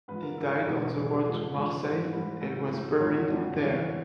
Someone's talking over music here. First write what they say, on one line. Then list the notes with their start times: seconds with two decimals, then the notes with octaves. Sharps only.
He died on the road to Marseille, and was buried there.
0.08 G#2 F3 B4
0.23 A#4
0.38 G#2 F3 A4
0.67 E2 B2 G3
0.96 E2 B2 G3 G#4
1.10 G4
1.24 G#2 F3 G#4
1.54 G#2 F3
1.83 G#2 E3 G3 C5
2.12 G#2 E3 G3 B4
2.41 A2 F#3
2.70 A2 F#3
2.99 F2 D3 F#3 C#5
3.28 F2 D3 F#3 D5
3.58 G#2 E3 G3 D5
3.72 C#5
3.88 E3